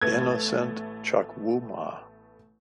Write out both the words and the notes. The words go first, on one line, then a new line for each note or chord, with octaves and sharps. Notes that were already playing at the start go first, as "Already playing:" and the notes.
Innocent Chukwuma.
A1 A3 B3 G#6